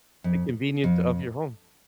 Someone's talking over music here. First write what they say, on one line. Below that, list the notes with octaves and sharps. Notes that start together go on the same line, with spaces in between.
The convenience of your home.
F2
F2